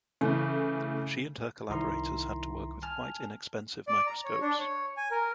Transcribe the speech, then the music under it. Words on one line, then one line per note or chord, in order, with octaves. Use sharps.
She and her collaborators had to work with quite inexpensive microscopes.
C#3 E3 A3
C2 D#3 E4 A#5 C6
G#5 A5 F6
D5
A#5
C#5
D4
C#5
G#5
A#4